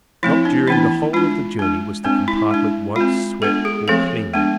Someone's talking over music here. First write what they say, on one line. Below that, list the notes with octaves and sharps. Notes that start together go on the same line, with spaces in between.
Not during the whole of the journey was the compartment once swept or cleaned.
F3 A3 C4 E4
D4
E3 B3 D4 E4
G#3 D4 F4
G#3 D4
G#3 C4 D4
E4
G#3 D4
G#3 C4 F4
G#3 B3 D4 A4
G#4
F3 A3 C4 A4
G#3 B3 D4